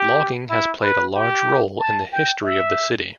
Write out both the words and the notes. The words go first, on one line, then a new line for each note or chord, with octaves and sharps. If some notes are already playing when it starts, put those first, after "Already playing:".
Logging has played a large role in the history of the city.
Already playing: G4
E4
B4
G4
A5
G5
E5